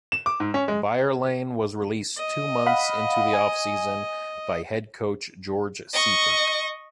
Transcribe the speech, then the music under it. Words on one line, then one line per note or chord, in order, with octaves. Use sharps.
Beuerlein was released two months into the offseason by head coach George Seifert.
E7
D6
G#2
C#4
G#3
D#5
F5 F#5 B5
G#5
D#5 C#6